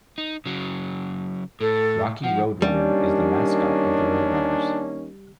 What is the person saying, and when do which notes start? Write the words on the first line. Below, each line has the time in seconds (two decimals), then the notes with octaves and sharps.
Rocky RoadRunner is the mascot of the RoadRunners.
0.18 D#4
0.46 C#3 F#3
1.61 A2 A4
2.24 F3 F#5
2.62 D#3 G3 A#3 C#4 D4